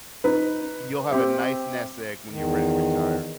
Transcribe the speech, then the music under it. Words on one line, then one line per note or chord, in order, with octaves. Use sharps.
y you'll have a nice nest egg when you're ready to retire.
D#4 B4
C4 G4 E5
E2 D#3